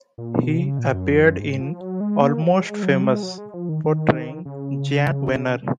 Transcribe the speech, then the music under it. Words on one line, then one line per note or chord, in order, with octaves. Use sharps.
He appeared in "Almost Famous", portraying Jann Wenner.
A#2
B2
C#3
A#2
F#2
F2
F#2
G#2
F3
F#3
G#3
A#3
F#3
G#3
F#3
G#3
F#3
G#3
F3
D#3
D#3
C#3